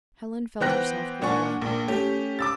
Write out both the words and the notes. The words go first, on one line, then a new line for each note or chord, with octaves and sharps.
Helen felt herself grow white.
E3 B3 C5 G5 F#6 A#6
A#2 D4 F#5 G#5 C#6
A#1 A#2
A3 C#4 G4
D6 E6 A6